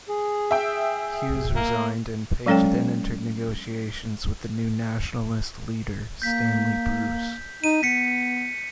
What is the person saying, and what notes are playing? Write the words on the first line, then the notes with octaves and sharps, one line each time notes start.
Hughes resigned, and Page then entered negotiations with the new Nationalist leader, Stanley Bruce.
G#4
E5 G5
A#3
F#3 G#3 C#4 A4 C#5 G5
A#3 G6 B6
D#4 D#7
B3 B6 C#7